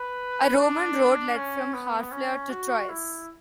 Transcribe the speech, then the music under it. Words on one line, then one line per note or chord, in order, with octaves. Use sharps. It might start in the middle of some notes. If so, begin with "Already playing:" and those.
A Roman road led from Harfleur to Troyes.
Already playing: B4
D4
C#4
B3
C#4
F#4
E4